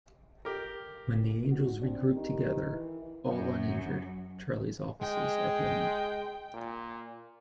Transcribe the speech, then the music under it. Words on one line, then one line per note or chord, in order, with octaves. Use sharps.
When the Angels regroup together, all uninjured, Charlie's offices are blown up.
G4 A#4
F#4
C4 D4
D#3 G4
E3
F#2 F#3
G#3 G5
A#2